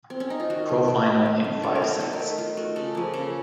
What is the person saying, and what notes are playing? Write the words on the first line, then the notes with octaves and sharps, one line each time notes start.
Pro final in five sets.
C4
C#4
D#4
F4
D#3 F#4
A3
D#3
A3
D#3
A3
D#3 A4
A#4
A3
A#4
D#3 A4
A#4
A3
D#3 F4
A3 F#4
C#3 A4
F3 A#3
C#3 A4